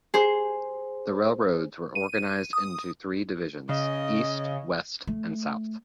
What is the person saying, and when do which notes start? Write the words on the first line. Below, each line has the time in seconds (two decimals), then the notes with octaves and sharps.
The railroads were organized into three divisions: East, West, and South.
0.14 G#4 C5
1.95 D#7
2.53 D#6
3.69 C#3 D#5
5.07 A3